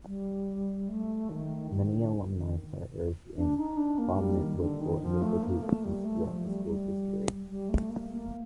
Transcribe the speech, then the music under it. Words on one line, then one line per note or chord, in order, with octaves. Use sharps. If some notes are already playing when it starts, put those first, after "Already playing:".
Many alumni served in prominent political and legal positions throughout the school's history.
G3
A3
D#3
D#3
D3
D#3
D4
D#4
D4
A#3
G3
D#3
D3
D#3
F3
A3
A#3
A3
G3
A3
F3
G3
G3
G3
A3
A#3
A#3